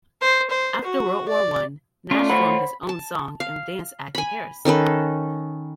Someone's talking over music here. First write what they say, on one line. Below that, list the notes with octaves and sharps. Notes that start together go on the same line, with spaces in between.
After World War One, Naish formed his own song and dance act in Paris.
C5
C5
F#4
D5
A3 C#4 F4 D5
C5 C#5 F#5 B5
A5
F5
G#5 B5
D#3 C#4 A4 B4